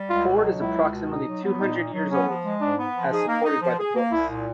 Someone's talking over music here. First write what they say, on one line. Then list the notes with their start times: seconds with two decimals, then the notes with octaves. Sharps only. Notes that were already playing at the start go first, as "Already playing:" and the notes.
Ford is approximately two hundred years old, as supported by the books.
Already playing: G3
0.10 C#2 F4
0.27 B2
0.43 F#3
0.60 C#2 E4
0.77 C#2
0.93 B2
1.10 D#4
1.27 F#3
1.44 B3
1.60 A#2 D#4
1.77 D#4
1.94 F#3
2.11 B3 C#4
2.28 F3
2.45 G#3
2.61 G#2 D4
2.78 B3
2.95 F3
3.11 D#4 G#4
3.28 A#3
3.45 D#4
3.62 F3
3.79 G#4
3.95 A#3
4.12 C2 E4
4.28 A#2